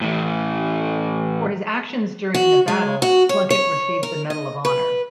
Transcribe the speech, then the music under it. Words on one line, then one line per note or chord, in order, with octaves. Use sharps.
For his actions during the battle Plunkett received the Medal of Honor.
A2 E3
F#4
G#3
F#4
C#5
C#5
A#4
D#5
B4